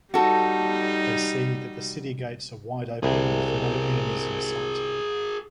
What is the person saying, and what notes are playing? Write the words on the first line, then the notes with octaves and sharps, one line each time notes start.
They see that the city gates are wide open with no enemies in sight.
G3 D#4 F#4 A4
C2 G#4 A#4